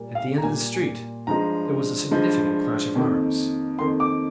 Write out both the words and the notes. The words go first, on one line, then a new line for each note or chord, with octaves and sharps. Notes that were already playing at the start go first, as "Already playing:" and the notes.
At the end of the street there was a significant clash of arms.
Already playing: A#2 G3 A#3
F5
A#5
A#2 G3 A#3 G#5
G2 F3 G#3 A#5
G2 F3 G#3
F2 D#3 A#3
F2 D#3 A#3 C6
D6